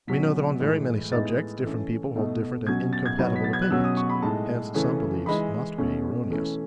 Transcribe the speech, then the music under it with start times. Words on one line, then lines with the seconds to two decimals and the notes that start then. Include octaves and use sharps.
We know that on very many subjects different people hold different and incompatible opinions: hence some beliefs must be erroneous.
0.07 B2 F#3 C#4 B6
0.59 A2 E3 G#3
1.11 A2 G#3 B3 D#4 A6
1.63 E3 A3 C#4
2.15 B2 A3 D#4
2.67 B2 F#3 C#4 G#6
2.93 A6
3.06 G#6
3.18 B2 F#3 B3 D#4
3.36 B6
3.44 A6
3.53 G#6
3.62 F#6
3.70 B2 F#3 C#4 E6
3.84 D#6
3.97 C#6
4.10 B5
4.22 A2 G#3 D#4 A5
4.74 C#3 E3 A3 C#4
5.26 E3 G#3 D#4 B5
5.78 B2 A3 C#4
6.30 E3 A3 C#4